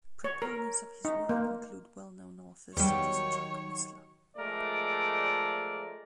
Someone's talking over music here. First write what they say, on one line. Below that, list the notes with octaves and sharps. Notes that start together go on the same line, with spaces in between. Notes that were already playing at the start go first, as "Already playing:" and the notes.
Proponents of his work include well-known authors such as Chuck Missler.
C#5
A#4
D#4
A#3
E2 D#3 F#3 G3 G4 C#5
F3 G#3 A3 A#4 D5